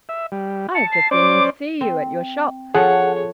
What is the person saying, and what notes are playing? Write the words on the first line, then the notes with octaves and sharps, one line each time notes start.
"I've just been in to see you at your shop."
E5
G3
A5 C#7
C7
C#4 C5 D5 D6
C4
F3 G#4 A4 C#5 F#5